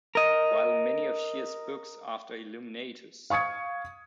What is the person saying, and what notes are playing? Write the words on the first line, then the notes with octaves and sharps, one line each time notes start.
While many of Shea's books after Illuminatus!
A#4 D#5
F5 C#6 D#6 G#6 C#7